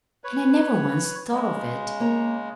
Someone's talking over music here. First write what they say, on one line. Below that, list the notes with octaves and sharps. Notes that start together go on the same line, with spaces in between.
"And I never once thought of it."
B4 C#5
C#3 G#3
A#3 C#5